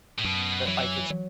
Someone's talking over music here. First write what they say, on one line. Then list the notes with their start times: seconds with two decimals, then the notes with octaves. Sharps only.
but, like, if sh
0.18 A2
0.24 F#2 B2
0.68 E3 F#3
1.10 F#3